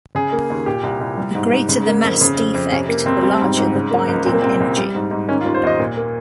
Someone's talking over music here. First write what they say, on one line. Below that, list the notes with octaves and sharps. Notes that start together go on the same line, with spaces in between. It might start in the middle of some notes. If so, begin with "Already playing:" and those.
The greater the mass defect, the larger the binding energy.
C#3 G#4
A#3
D#2
A#2 G4
C2
C2
G3
G#2
G#2
C#3
A#3
F2
C#3
F2
F2
C3 C#4
A#3
C#2 C4
G3 C4
G#2
G#2
C#3
A#3
C#2
A#2 C4
A#3
C2 C4
C2
G3
G#2
G#2
D#3 C#4
F4
D#2
C5
D#2 D#5
A#2
A#3